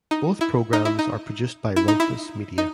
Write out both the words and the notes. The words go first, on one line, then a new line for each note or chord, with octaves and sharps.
Both programmes are produced by Rumpus Media.
D#4
E4
D#4
E4
D#4
E4
D#4
E4
D#4